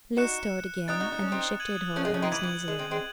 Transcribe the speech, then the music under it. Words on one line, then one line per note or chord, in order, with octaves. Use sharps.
Liz stirred again, and he shifted her on his knees a little.
D#4 F#4 F#6 C#7 E7
C4 D#4 D#6 F#6 A6
D#4 F#4
D#4
C#4
C4 D#4
G#6 D#7 F#7
A3 C#4
G#3 C4
A3 C#4
C4 D#4
E3 G#6 D#7 F#7
E3
G#3
G#3 C4
G#3 C4